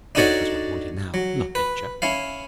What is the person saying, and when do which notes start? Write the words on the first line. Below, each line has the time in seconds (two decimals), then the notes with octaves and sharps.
Bed was what he wanted now, not nature.
0.15 D4 D#4 F#4 A4 C#5 D5
1.14 F#3
1.55 B4
2.02 C#4 E4 F5